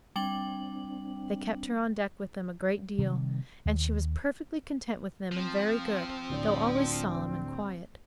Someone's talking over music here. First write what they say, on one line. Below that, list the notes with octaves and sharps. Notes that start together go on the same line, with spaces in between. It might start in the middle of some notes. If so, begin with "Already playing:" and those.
They kept her on deck with them a great deal, and she was perfectly content with them and very good, though always solemn and quiet.
G3 C4 D4 G5 F#7
C3 D#3 G3
D#2
F3 C4
D1 D4 D5